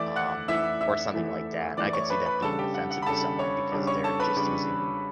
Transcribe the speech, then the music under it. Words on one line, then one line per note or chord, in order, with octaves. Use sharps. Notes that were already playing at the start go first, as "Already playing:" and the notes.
um, or something like that, and I could see that being offensive to someone because they're just using
Already playing: E3 A3 E4 D5 D6
F#5 F#6
E3 A3 E4 E5 E6
E5 E6
E3 A3 E4
E3 A3 E4 D5 D6
C#5 C#6
B4 B5
B4 B5
C#3 G3 D4 A4 A5
G4 G5
F#5
F#5
B5
C#3 G3 D4 A4 A5
C#5 C#6
C#3 G3 D4
C#5 C#6
A4 A5
B4 B5
C#3 G3 D4